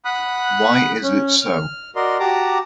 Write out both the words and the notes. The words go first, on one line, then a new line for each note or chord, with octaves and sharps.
Why is it so?
F#5 B5 D#6 F#6
C#4
F6
F#4 A#4 D5 D#5 C6
F#4 G4 A5 A#5 D6